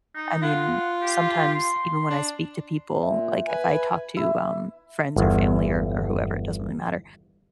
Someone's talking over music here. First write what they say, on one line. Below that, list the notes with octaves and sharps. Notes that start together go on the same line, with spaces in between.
I mean, sometimes even when I speak to people, like if I talk to, um, friends or family or or whoever it doesn't really matter,
D#4
F4 F#5
G4
C6
D4
A#2 E5
B4 G#5
E4
G1 E2